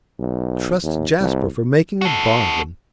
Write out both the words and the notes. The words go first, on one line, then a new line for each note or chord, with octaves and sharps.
Trust Jasper for making a bargain!
B1
D#2
C2
F#4 A4